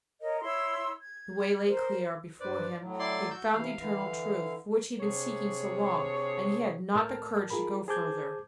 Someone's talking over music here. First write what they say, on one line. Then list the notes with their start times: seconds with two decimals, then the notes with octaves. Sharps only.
The way lay clear before him; he had found the Eternal Truth for which he had been seeking so long, and he had not the courage to go further.
0.21 A#4 C#5 D#5
0.42 E4 C#5 C6 E6
1.00 G#6
1.66 A#4 C5
2.40 G2 B4 C5 D5
2.80 A2 F#3
2.99 E4 D5 C6
3.31 F#4 E6 G6
3.53 C3 E3 F5
3.77 D3 E3
5.00 C3 D4 G#4 C#5
6.95 A2 A#4 A5 F6
7.50 F4 G#4 A#4 B5
7.88 G#4 C5 A5 D6 G6 G#6